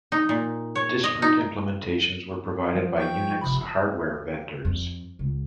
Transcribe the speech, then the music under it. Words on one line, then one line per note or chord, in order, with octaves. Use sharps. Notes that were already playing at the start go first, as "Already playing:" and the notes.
Disparate implementations were provided by Unix hardware vendors.
D#4
A#2
C#5
D#5
D#4
F3
G5 C#6 G6
G1 C3 B5
F2
C#2